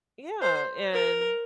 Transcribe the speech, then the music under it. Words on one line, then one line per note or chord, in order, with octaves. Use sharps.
Yeah, and
C5
A#4